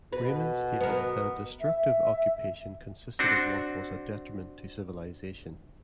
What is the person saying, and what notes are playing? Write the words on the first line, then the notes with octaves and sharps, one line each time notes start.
Raymond stated that a destructive occupation consisted of what was a detriment to civilization.
B2 B4
B3 A#4
E5
C4 D4 F#4